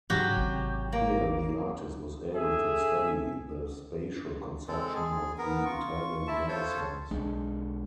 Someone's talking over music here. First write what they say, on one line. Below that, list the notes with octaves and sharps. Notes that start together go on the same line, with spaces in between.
Here the artist was able to study the spatial conception of the Italian Renaissance.
G#2 C#3 F#3 F#4 G4
G#1 C3
A#3
G#4 A4 E5
G#3 C4 A4
G#4
B3 A#4
F4 C#6
E4 E5 A5
F4 A4 C5 C#5
B1 G#3 D4